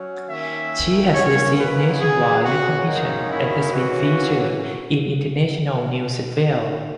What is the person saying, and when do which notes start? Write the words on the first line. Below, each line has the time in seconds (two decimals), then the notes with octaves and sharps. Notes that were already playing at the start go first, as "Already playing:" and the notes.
She has received nationwide recognition and has been featured in international news as well.
Already playing: F#3 C#4
0.26 D#3 A#3 C#4 E5
1.13 F#2 D#3 F#3 A#3 C#4 C#5
1.56 B4
1.99 C#3 F#3 B3 G#4
2.43 F#4
2.86 F#2 D#3 F#3 A#3 C#4 D#4
3.29 E4
3.72 C#3 E3 A#3 C#4 F#4